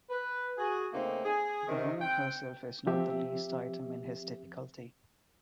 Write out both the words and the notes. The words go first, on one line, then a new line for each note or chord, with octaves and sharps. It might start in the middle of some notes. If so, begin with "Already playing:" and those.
The woman herself is not the least item in his difficulty.
B4
F#4 G#4
C#3 A3 A#3 C4 D#4
G#4
C3 D#3
C4 F#5 G5
F3 C4 G4 E5